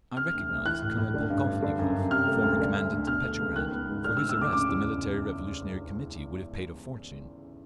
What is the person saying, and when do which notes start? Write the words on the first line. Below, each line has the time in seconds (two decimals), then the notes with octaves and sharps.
I recognised Colonel Polkovnikov, former commandant of Petrograd, for whose arrest the Military Revolutionary Committee would have paid a fortune.
0.17 C3 F6
0.33 D2
0.50 D2
0.65 E3 F#6
0.82 A2
0.98 A2
1.14 D3
1.30 G2
1.46 G2
1.62 D3
1.79 F#2
1.95 F#2
2.10 C3 F6
2.27 A3
2.43 D2
2.60 D3
2.75 D2
2.92 D2
3.07 B2 F6
3.24 A3
3.40 C#2
3.56 D#3 F#6
3.72 B3
3.88 G#2
4.04 D3 F6
4.17 E6
4.21 D2
4.29 E6
4.37 D2 D6
4.53 C#3 D6
4.69 E2